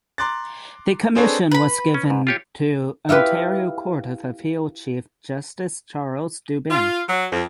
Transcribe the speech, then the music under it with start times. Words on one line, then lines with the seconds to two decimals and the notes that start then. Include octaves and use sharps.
The commission was given to Ontario Court of Appeal Chief Justice Charles Dubin.
0.18 A#5 C6 D6 F#6 A6
1.15 C4 D4 G#4 A4 B4 C#5
1.51 B4 B5
1.94 C#4
2.10 G#2
2.27 F4 G4 C#5
3.09 E4 F4 G4 B4
6.70 F4
7.08 F#3
7.32 F2